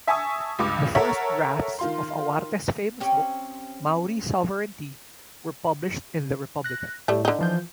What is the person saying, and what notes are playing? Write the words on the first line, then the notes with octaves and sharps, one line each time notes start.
The first drafts of Awatere's famous book "Maori Sovereignty" were published in "The Republican".
E5 G#5 A5 C#6 D#6 E6
C#2 G2 D6
A4 A#4 C#5 E5 F#5
D#3 F4 C6
C4 C#4 G4
F#6 A#6
A2 G3 A3
D3 D#4
E3 F3 G6